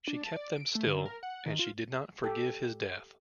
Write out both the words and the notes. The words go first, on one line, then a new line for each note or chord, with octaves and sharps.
She kept them still, and she did not forgive his death.
D4
A5
D5
D7
A3
D3
A#4
F#5
D#3
F4
G4 A4